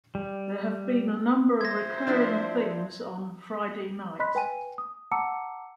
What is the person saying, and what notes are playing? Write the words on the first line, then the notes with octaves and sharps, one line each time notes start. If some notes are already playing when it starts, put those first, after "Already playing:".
There have been a number of recurring themes on "Friday Night".
G3
C5 E5 G#6 A#6
F3 D4 E4
D#5 B5 C6 F#6 B6
B4 G5 G#5 D#7
D#6
F#5 A5 A#5 D6 E6 C#7